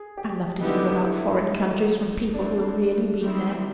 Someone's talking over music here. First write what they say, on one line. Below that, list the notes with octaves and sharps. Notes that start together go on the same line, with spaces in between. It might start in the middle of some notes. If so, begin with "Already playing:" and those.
I love to hear about foreign countries from people who have really been there.
Already playing: G#4
G4
D3 G3 B3 D#4 E4 G4
E4
D#3 F#3 A3 D#4
C4 D4 E4 A4
D#3 G3 C4 E4